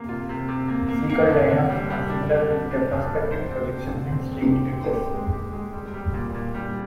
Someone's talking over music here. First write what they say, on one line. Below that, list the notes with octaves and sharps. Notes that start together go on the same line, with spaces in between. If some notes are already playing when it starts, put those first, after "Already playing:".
Schlegel diagrams are similar, with a perspective projection and straight edges.
Already playing: C3 A#3
F4
C3
C3
A#3
A#3
A#3
D3
D3
G3
G3
D4
D3
D3
D4
G2
D4
C5
C4
G4
C4
C4
C4
G4
C4
G4
G#3
G4
G#3
G3
G3
A#2
A#2
G3